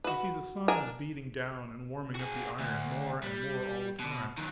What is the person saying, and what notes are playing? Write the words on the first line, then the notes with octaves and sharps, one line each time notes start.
You see, the sun was beating down and warming up the iron more and more all the time.
F#4 B4
D4 A#4 G#5
F#4 G#4
D2
G3
B2
D#3 F#3